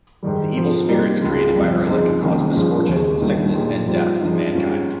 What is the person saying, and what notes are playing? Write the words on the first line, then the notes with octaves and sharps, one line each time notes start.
The evil spirits created by Erlik cause misfortune, sickness and death to mankind.
G#2 D#3 G3
G#2 F3 C4
C3 G3 A#3 D#4
C#2 C#3 G#3
G1 F2 C3 G3
F2 C#3 G#3 D#4
C2 C3 D#3 A#3 C#4
G1 G2 F3 G#3 C#4
D#2 C#3 G#3
G1 G2 D#3 A#3 D#4
A#2 G#3 D#4 G4
A#1 G#2 G3 C4 F4
G2 F3 G#3 C4 D#4
G#2 G3 C#4 F4